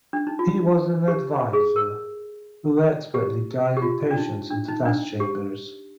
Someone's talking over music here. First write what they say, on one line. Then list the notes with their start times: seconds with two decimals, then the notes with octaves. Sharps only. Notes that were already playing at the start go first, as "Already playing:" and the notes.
He was an advisor who "expertly guided" patients into gas chambers.
0.13 D4
0.27 D#4
0.39 F4
1.08 G4
1.53 G#4
1.76 A#4
3.14 G4
3.77 G4
3.82 F4
4.11 D4
4.17 D#4
4.51 D4
4.68 D#4
4.85 D4
5.20 G4